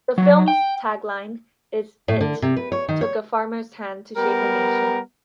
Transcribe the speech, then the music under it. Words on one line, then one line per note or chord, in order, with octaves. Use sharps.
The film's tagline is It took a farmer's hand to shape a nation.
F#3
G5
A2
D3
C3
B4
C#5
D#3
C#5
G3 B3 A#4